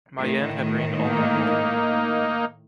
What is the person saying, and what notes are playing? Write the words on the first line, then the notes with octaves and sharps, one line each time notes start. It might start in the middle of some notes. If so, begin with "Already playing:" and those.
Mayenne had rained all night long.
A2 D#3
A#3 D#4